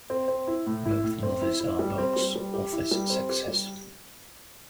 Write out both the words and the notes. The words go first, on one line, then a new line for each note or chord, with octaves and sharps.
Both movies are box-office success.
C4
C4
E4
A2
E4
A2
C4
E4
E4
G3
C4
G3
G3
G4
E4
G3
C4
G4
G3